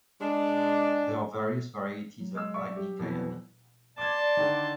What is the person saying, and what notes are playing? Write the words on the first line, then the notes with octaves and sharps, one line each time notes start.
There are various varieties of Agnicayana.
G#3 D4
F#3
G#3 E6
D5 E5 C#6
G4
F2 B2 E3
D5 A5 C6 D6 G#6
D3 D#3